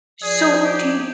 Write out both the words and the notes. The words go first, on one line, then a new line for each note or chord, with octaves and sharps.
So, do you
F3 G#4 D5
G4